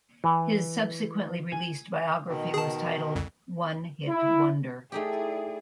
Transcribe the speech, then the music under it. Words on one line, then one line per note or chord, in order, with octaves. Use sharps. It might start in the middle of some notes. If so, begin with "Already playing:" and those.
His subsequently released biography was titled "One-Hit Wonder".
E3
G#5
B2 D#3
G#4 A5
C2 F2
E4
A3 D#4 E4 G4 G#4 D5